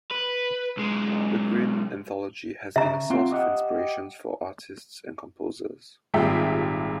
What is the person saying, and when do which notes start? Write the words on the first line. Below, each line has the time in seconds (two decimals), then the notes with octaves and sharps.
The Grimm anthology has been a source of inspiration for artists and composers.
0.11 B4
0.77 B1 G#3
2.76 C#3 E5 A#5
3.10 C4 F4 F#4
3.31 G4 D#5 F#5
6.14 G#1 A#2 G3 G#4 E5 G5